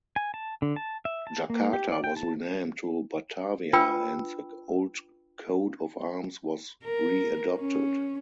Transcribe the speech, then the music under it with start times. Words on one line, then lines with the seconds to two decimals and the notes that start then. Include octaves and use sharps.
Jakarta was renamed to Batavia and the old coat of arms was readopted.
0.16 G#5
0.34 A5
0.62 D3
0.76 A5
1.05 E5
1.27 A5
1.50 A#3
1.73 G4
1.92 D5
2.04 G5
2.17 A5
3.73 D4 F4 B4 G5 B5 E6
6.84 A#4
7.59 C#4